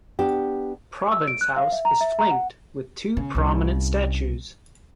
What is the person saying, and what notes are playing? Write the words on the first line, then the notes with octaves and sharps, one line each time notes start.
Province House is flanked with two prominent statues.
B3 D4 G4
E6
D7
F#6
F5
E5
A#5
E5
A#5
F#5
C#3
C2 C#4